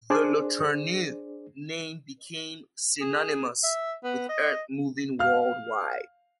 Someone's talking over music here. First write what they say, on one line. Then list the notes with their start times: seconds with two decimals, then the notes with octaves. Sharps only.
The LeTourneau name became synonymous with earthmoving worldwide.
0.10 D4 G#4 C5 D5
3.01 G#4
3.64 E5
4.04 B3
4.29 D#5
5.19 F5 F6